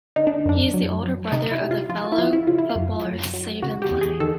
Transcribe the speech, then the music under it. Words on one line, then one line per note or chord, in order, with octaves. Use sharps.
He is the older brother of fellow footballer Sabin Ilie.
D3 D#4
D4
F#2 D4
F#3
F#3
C3 D#4
E4
G3
F4
F3 F4
F#4
E4
F3 F4
E4
C#3 F4
E4
F4
F#2
F#3
F#3
C#3 F#4
G4
E2
G#4
D#3 A4